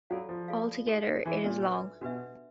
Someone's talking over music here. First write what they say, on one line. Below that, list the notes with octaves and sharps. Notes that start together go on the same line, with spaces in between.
All together, it is long.
F#3 F4 A4 D5 F5
F3
F4 A4 D5 F5
D#4 F#4 A4
E3 D#4 F#4 A4
A#2
D4 F#4 B4 E5
B2 D4 F#4 B4 E5